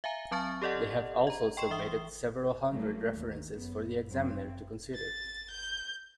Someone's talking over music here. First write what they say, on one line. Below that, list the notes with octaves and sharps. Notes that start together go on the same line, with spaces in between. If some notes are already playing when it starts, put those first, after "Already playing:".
They have also submitted several hundred references for the examiner to consider.
E5 F5 G#5 A#5
F#3 C4 A5 C#6 F6 A6
G4 A4 D5 D#5 F#5
D#5 A#5
G5 C6 C#6 C7 E7
E3 E5 D#6 G7
F#3 G3 A3 A#3
D#2
F#2 B3
F#2 F#3 C4
A6
G6